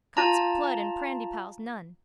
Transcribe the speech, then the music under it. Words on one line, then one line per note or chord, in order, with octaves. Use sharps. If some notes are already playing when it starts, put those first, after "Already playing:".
Cot's plood and prandypalls, none!
F4 A5 A#5